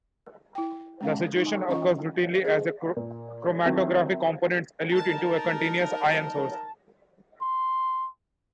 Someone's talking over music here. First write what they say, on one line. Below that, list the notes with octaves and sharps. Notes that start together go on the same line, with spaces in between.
This situation occurs routinely as chromatographic components elute into a continuous ion source.
E4 G5
G#3 C#4 F5
D#4
E3 C#4 F4 D#5 C#6
G#4 D#5
A#2
D#3 F#3 C4 E4
D#4 A#4 A5
C6